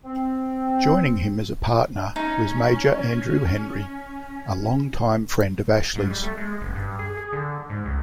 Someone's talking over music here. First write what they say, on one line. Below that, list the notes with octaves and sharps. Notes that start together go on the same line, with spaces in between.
Joining him as a partner was Major Andrew Henry, a long-time friend of Ashley's.
C4
C#4 D#4
G#2
G3
A3
G#3
F#1
G2
G#4
G#4
D3
G#2
C#2